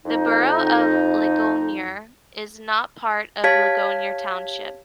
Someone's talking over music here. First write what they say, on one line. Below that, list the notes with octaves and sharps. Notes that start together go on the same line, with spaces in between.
The Borough of Ligonier is not part of Ligonier Township.
F2 D#4
G4 C#5 F5 A5 G#6 B6